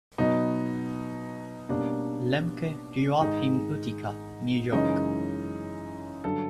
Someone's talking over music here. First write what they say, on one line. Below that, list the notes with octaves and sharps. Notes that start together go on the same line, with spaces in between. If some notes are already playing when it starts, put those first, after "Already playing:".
Lemke grew up in Utica, New York.
B2 F#3 B3 D#4
B2 G3 A#3 C#4 D4
G#2 D#3 G#3 D#4
F#2 C#3 E3 G#3 C#4 D#4
G2 D3 F#3 A4